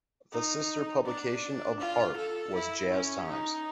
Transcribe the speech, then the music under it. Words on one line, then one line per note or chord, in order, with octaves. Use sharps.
The sister publication of "Harp" was "Jazz Times".
D#4
D4
F4
A4
E4
C#4
D#4